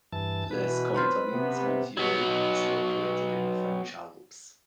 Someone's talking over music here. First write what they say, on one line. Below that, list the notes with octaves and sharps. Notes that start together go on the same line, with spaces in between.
Les Contamines Montjoie is located in the French Alps.
G2 E3 A5
B2 E3 B4
F#3 C4 F4
C3 B3
F#3 B3